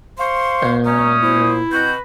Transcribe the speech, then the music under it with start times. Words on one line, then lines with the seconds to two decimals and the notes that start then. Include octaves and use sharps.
and, you know,
0.18 C5 F5 C6 C#6
0.85 G3 A3 C#4 A#5 D#6
1.23 E4 C5
1.72 B2 C4 F#4 B4 G6